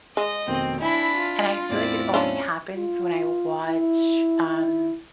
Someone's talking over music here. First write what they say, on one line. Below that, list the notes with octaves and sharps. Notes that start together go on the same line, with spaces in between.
And I feel like it only happens when I watch, um,
G#3 D#5
F1 B2 D#3 C4
D4 E4 G#5 B5
F4
E2 A2 C4 E4 D5
C#4 D4 E4 F4
F4
E4
E4